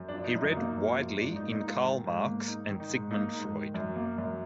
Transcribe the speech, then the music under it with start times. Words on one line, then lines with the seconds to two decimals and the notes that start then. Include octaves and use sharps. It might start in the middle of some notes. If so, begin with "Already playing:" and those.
He read widely in Karl Marx and Sigmund Freud.
Already playing: F#2
0.08 D4
0.14 F3
0.19 D4
0.24 D#4
0.35 F#2
0.41 D#4
0.56 A#3
0.78 F#2
0.99 F3
1.20 G#2 D4
1.36 D#4
1.42 A#3
1.52 D#4
1.63 G#2 F4
1.83 D#3
2.05 G#2
2.26 A#3
2.48 G#2 D#4
2.68 D#3
2.80 D#4
2.90 G#2
3.11 A#3 D#4
3.33 G#2
3.54 D#3
3.74 F#2
3.96 A#3
4.18 F#2